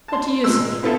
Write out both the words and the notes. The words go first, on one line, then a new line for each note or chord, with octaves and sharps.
What do you say?
A5 C6
A#2 G#3 E6
B3 C4 E4 F4 A4 E5